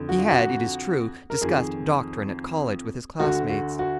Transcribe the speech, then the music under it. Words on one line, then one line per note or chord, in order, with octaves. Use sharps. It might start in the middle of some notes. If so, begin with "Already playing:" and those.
He had, it is true, discussed doctrine at college with his class-mates.
Already playing: F2 D3
F#4
F4
F#4
A#4
F2 D#3 G#4
D2 D3 F#4
F#4
F#4